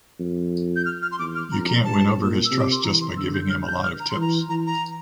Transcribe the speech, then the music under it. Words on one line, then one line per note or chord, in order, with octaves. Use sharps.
You can’t win over his trust just by giving him a lot of tips.
F2
G6
F6
F6
C6
E2 D6
F6
F2 A#5
A#5
G2 A5
A#2
E6
C3
D6
C6
E3 A#5
C6
D3 E6
G6
F6
G6
F6
A#5
C6
E3 A#5
E3 A#5
A#5